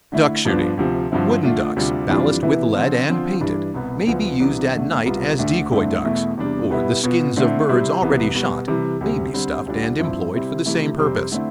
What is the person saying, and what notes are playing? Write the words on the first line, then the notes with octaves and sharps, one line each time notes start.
Duck-shooting.--Wooden ducks, ballasted with lead, and painted, may be used at night as decoy-ducks; or the skins of birds already shot, may be stuffed and employed for the same purpose.
D3 A3 E4
G2 F3 B3 D4
D2 C3 F3
G2 D3 F3 C4 E4
D3 A3 D4 F4
D2 C3 G3 D4 F4
F2 E3 G3 D4 F4
C3 E3 B3 E4
D3 F3 C4 F4
D3 F3 C4 F4
G2 E3 G3 D4
C2 B2 B3
D2 D3 F3 B3
C2 C3 E3 B3 D4
E2 D3 A3
C2 B2 G3 B3 F4
D2 D3 A3 D4
G2 D3 A3 C4 E4
E2 B2 A3 E4
E2 C3 G3 D4
B2 G3 B3 E4
B2 B3 F4
D3 A3 C4 E4
C3 G3 C4 E4
C2 C3 E3 B3
B2 G3 B3
C3 E3 G3
D2 C3 G3
D3 G3 C4
D2 D3 G3 D4 F4
G2 F3 C4 E4
C3 G3 C4 E4
C3 E3 A3 E4
F2 C3 G3 C4
D3 A3 C4 E4